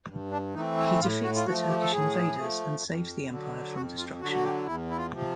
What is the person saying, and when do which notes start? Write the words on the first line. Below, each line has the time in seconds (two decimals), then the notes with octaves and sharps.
He defeats the Turkish invaders and saves the Empire from destruction.
0.09 G2
0.31 D4
0.54 E3 A3 C4 D#4
0.78 E4
1.00 A2 F4
1.24 F#4
1.35 F4
1.46 F3 A3 F#4
1.69 G4
1.81 A4
1.91 A2 G#4
2.38 F3 A3
2.83 F2
3.30 D3 F#3
3.75 F2 F#4
3.98 F4
4.21 D3 F#3 F#4
4.32 F#4
4.44 G4
4.66 E2 E4
4.91 E4
4.97 F4
5.12 C3 F3